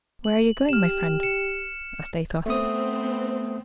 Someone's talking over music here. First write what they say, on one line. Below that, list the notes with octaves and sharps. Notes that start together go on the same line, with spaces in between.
"Where are you going, my friend?" asked Athos.
F#7
G4 F6 E7
C#7 E7
A3 B3 C4 D#6